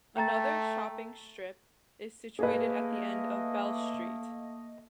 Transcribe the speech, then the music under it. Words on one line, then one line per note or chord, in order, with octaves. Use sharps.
Another shopping strip is situated at the end of Bell Street.
A3 G5 A#5 A6
A3 A#3 G#4 B4 D#5